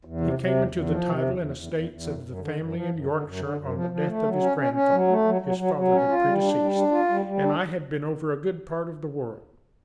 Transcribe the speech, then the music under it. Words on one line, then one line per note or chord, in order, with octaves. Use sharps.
He came into the title and estates of the family in Yorkshire on the death of his grandfather--his father had predeceased--and I had been over a good part of the world.
E2
C3
C3
E2
E2
F3
C3
E2
E2
E2
E2
E2
F#2
F#2
D3
F#2
F3
F#2
D3
F#2
D3
F#2
F3
F3
A3
F#3
C#4
C#4
C#4
F#3
A3
F#3
F#3
F#3
F#3
C#4
F4
G3
D4
G3
D4
F4
G3
G3
D4